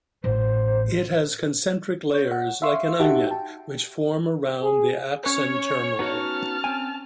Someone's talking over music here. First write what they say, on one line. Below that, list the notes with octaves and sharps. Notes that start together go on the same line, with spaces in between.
It has concentric layers like an onion, which form around the axon terminal.
A1 C5
C#5 G6
F#5
E5 F5 C6 C#6
D#4 F#4 G4 E5 F#5 A5
G5 A5
G#4
C#4 C#5 C#6 G#6
B3 D#4 F#4 A5 F6
C4 G5 G#5